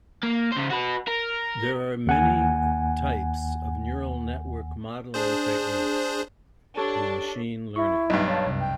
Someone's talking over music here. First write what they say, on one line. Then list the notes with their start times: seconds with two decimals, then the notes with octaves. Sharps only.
There are many types of Neural Network modelling techniques in machine learning.
0.23 A#3
0.53 C#3 C5
0.71 F#4 B4
1.08 A#4
2.07 D#2 F#5 G#5
5.14 D4 G#4 C5
6.77 D4 G4 A4 C#5
7.76 E4 C#6
8.10 B1 G2 D#4 E5
8.27 C#5 F5 A5 B5
8.47 C2 F#2 C3
8.61 G5